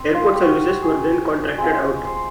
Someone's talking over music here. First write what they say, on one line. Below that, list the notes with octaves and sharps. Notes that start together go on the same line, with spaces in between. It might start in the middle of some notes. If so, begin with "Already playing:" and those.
Airport services were then contracted out.
Already playing: C4
F4
G4
F#4
G4
G#4
G#3 C4 F4
C5